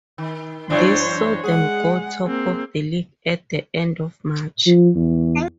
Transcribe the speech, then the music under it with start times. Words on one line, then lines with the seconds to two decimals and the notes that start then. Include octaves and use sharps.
This saw them go top of the league at the end of March.
0.18 D#3
0.70 F#2 E3 D4 C5 C#5
1.44 G#3 G#4 F#5
2.27 A#3 C4
4.66 F3
4.95 E2